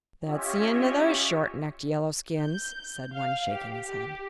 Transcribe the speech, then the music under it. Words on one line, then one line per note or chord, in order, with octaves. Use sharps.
"That's the end of those short-necked Yellowskins," said one, shaking his head.
C#4 F4 G4 C#5 D#5 E5
G6
F5
G4
G4